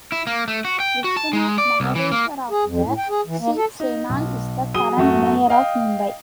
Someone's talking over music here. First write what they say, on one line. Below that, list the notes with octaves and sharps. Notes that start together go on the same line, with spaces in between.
Vishwanath Mahadeshwar of the Shiv Sena is the current Mayor of Mumbai.
E4
A#3
A3
F#4
G5
F#4
A5
G#3
D5
C2
E3
A#3
G#4
F2
A2
G5
G#4
E3
A#3
A4
D#4
B1
F#3 G#4 D#6 D#7 G7
F#2 F#3 A3 F#4
D#5 F5 G5